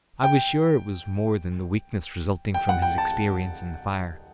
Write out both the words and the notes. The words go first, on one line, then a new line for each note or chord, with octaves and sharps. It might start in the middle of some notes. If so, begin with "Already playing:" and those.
I was sure it was more than the weakness resulting from his experience in the fire.
G5
G5
F#5
G5
A5